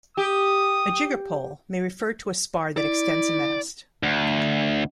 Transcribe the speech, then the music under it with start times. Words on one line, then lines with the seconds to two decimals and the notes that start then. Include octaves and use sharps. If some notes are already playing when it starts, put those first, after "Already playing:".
A jiggerpole may refer to a spar that extends a mast.
0.17 G4 D#6
2.77 E4 D5
4.03 D2